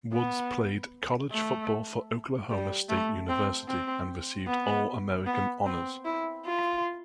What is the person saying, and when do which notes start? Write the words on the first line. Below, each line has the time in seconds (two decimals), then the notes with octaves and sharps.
Woods played college football for Oklahoma State University, and received All-American honors.
0.13 B3
1.30 A3
2.50 G3
2.89 A3
3.29 C4
3.68 C4
4.47 B3
5.26 B3
5.66 C4
6.05 E4
6.45 F4